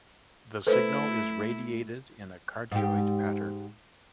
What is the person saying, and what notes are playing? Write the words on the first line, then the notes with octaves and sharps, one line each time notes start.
The signal is radiated in a cardioid pattern.
A3 E4 A4 B4 C5
G#2 G4